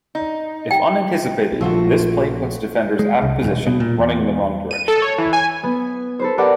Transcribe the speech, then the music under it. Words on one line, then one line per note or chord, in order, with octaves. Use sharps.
If unanticipated, this play puts defenders out of position, running in the wrong direction.
D#4
G5
A#1 F3 A3 F4 F#4
G#3
C2
E1
B2
A#2
E2
D#7
A4
C#5
E3
G#5
B3
A4 B4 C5
G4 A#4 B4 D5 F#5 G5